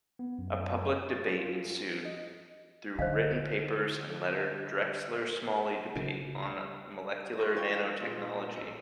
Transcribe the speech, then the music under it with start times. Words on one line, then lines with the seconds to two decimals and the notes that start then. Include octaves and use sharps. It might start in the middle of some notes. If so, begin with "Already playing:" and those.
A public debate ensued through written papers and letters Drexler-Smalley debate on molecular nanotechnology.
0.19 B3
0.39 F#2
1.12 A6
1.38 F4
2.05 D#5
2.99 D3 C5 D#5 F5
5.96 D2 C#3 A3 D4
7.38 C6 C#6 G6 A6 A#6
7.54 E3 F4 B4 C#5 G5 G7
8.00 A#2 G#3 B3 D#4
8.56 A1 E6 C#7